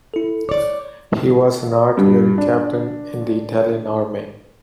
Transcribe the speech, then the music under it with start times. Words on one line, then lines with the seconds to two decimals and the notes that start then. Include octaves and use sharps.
He was an Artillery captain in the Italian Army.
0.14 E4 A4
0.49 C#5 D5 D6
1.97 G2
2.38 D4